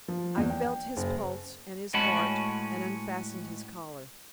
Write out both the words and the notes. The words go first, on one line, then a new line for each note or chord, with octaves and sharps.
I felt his pulse and his heart, and unfastened his collar.
F3
E2
G5
F#1
A2 G#3 C#4 F#4 A5 B5